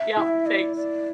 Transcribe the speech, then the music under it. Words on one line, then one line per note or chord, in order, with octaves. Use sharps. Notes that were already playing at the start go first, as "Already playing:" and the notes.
Yep. Thanks.
Already playing: E5
E4
D5
D5